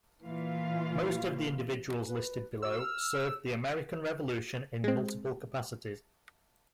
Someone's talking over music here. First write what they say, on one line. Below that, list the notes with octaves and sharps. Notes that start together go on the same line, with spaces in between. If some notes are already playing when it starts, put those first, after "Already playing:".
Most of the individuals listed below served the American Revolution in multiple capacities.
A#2 E3 F4 F5
B4
F#4 E6
F6
G#3 C4